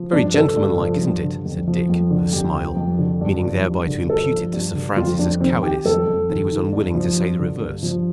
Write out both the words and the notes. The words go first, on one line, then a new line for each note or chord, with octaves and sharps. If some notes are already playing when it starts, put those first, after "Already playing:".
"Very gentlemanlike, isn't it?" said Dick, with a smile, meaning thereby to impute it to Sir Francis as cowardice that he was unwilling to say the reverse.
Already playing: F3
G2 D4
D3 A4
G2
F3
G2
D3
F2
F3
F2
D3
F2 G4
F3
F2
D3
G2
F3
G2
D3
G2 A4
F3
G2
D3
F2 F4
F2 D4
D#3 C4
D#3 G4
F2 A4
F2
D#3
D#3
G2
F3
G2
D3
G2
F3